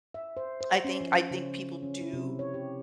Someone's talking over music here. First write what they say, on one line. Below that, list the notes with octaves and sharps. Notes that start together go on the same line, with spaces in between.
I think I think people do
E5
C5
C5
C#4
F3
C#3
C#4
E4
C3
C#5
G4